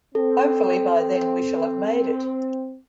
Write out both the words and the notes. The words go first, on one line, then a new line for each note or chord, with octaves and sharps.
Hopefully, by then we shall have made it.
C4 A4